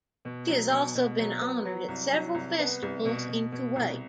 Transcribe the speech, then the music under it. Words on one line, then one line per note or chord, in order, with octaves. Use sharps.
She has also been honored at several festivals in Kuwait.
B2
F#3
B2
B2
F#3
B3
F#3
C2
F#3
C2
B3
C2
B2
B2
B2
C2